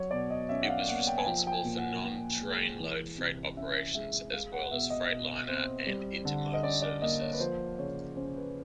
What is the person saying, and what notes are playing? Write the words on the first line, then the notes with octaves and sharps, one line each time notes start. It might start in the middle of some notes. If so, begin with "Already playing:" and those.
It was responsible for non-trainload freight operations, as well as Freightliner and Intermodal services.
Already playing: F#3 C#5
B2 D5
D#5
C#4 E5
F#5
F5
A#3 F#5
G5
G#5
F3 G5
G5
G#5
A#2
F#5
A#2
G#3
E3
C3
C#4 E5
G#3 E5
G#3 F5
F#5
B2 E5
D#5
B2
C4
G3
D3
D#5
C#4 D5
D5
A#3 D#5
C#5
B4
F3 C5
C#3 C#5
C#4 C5
B4